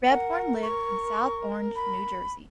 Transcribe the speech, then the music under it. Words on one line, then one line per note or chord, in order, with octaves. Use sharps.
Rebhorn lived in South Orange, New Jersey.
A#4 F#5
C#6
B5